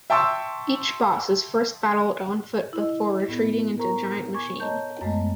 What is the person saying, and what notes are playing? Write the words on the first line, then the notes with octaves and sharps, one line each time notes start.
Each boss is first battled on foot before retreating into a giant machine.
E5 G5 A5 C6 C#6 E6
E4 D#5
A2 B3
A#4 C5 A#5 C#6
G#5 C#6 D6 G#6
C#5 D#5 A5 A#5 G6
F#2 G#3 A3 B3 D#5